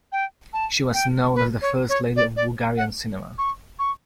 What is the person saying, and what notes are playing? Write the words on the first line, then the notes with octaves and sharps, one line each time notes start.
She was known as the first lady of Bulgarian cinema.
G5
A5
G5
B4
C#5
C#5
D5
D5
F#5
C#6
C#6